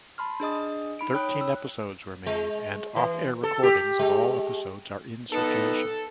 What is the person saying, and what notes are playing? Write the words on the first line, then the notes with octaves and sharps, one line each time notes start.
Thirteen episodes were made and off-air recordings of all episodes are in circulation.
A5 B5 C6 F6
D4 G#4 D#5 D#6
D#4 B5 D7
C#5 G5 B5 D#6 F#6
E6
G#3
E3
A4
G4
G#3
B3 D#4 A4